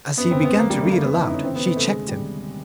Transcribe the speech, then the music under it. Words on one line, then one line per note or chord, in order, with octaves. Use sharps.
As he began to read aloud she checked him.
F#2 B3
F#1 C4
F#1 B3
D#2 A#3
D3 G3
A3
D3 A#3
F2 B3
F#1 E4
D#4
D3 C#4
E3 C4
B3
C3
B3
C3 A3
D3 G#3
D#2
G3